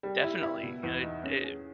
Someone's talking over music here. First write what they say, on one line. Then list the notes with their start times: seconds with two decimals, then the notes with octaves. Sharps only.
Definitely. You know, it it
0.03 G3
0.23 E4
0.43 E4
0.63 B2
0.83 E2
1.03 D#4
1.24 C#4
1.44 G#4